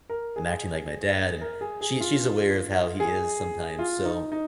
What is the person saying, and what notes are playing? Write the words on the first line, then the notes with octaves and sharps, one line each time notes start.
I'm acting like my dad and she she's aware of how he is sometimes, so
A#4
G#4
A#4
G#4
G#4
F4
G#4
F4
D#4
D#4